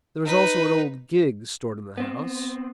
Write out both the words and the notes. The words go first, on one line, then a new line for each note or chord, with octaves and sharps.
There is also an old gig stored in the house.
D#4 B4
B3 C4